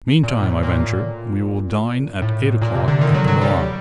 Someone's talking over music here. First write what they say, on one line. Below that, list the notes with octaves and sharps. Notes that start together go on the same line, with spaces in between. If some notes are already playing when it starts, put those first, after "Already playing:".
"Meantime," I ventured, "we will dine at eight o'clock at the Milan."
A#2
A2
A#2
A2
A#2
C3
D3
D#3
F#3
F#3
G3